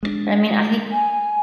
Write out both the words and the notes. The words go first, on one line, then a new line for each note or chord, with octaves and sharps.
I mean, I think
G#3 A3 D4
G#5